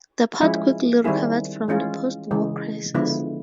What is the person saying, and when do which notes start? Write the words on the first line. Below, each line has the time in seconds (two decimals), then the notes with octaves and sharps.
The port quickly recovered from the post-war crisis.
0.41 F3 G#3 C#4 E4
1.04 D#3 G3 C4 E4 G#4
1.68 E3 G#3 C#4 F4
2.31 C#3 E3 G#3
2.95 D3 F3 G#3 B3 E4